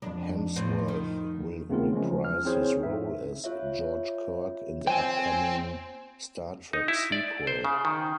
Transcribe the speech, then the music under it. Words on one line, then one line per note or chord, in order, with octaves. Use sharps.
Hemsworth will reprise his role as George Kirk in the upcoming "Star Trek" sequel.
B1 F2 D4
A2 C4 F4
D#3
C#3 A3 B3 C4 F4 A#4
F3 G#3 C#4
F3
F6
C4 E4 G#4 C5 C#5
G#2 E5
F4 C#5 E5
C4 G5 G#5
D#4
E4
D5
C5
C#3
D#3